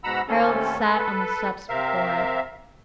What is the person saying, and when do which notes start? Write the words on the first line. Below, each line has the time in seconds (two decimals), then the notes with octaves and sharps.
Harald sat on the steps before it.
0.04 G#2 B2 F#5 A#5 B5 E6
0.28 D#2 A3 C4 C#4 A4
0.80 A4 B4
1.69 C3 C4 A#4 E5 F5